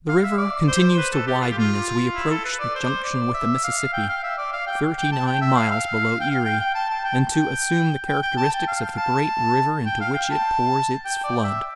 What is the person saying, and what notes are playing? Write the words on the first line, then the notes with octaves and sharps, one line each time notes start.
The river continues to widen as we approach the junction with the Mississippi,--thirty-nine miles below Erie,--and to assume the characteristics of the great river into which it pours its flood.
F5
E5
D5
C5
B4
A4
G4
F4
G4
F4
E4
A4
B4
D5
C5
D5
E5
F5
G5
F5
E5
D5
F5
G5
G5
A5
G5
E5
F5
F5
G5
F5
G5
G5
A5
A5
G5
G5
G5
G5
A5
G5
F5
A5
G5
F5
G5
A5
G5
D5
E5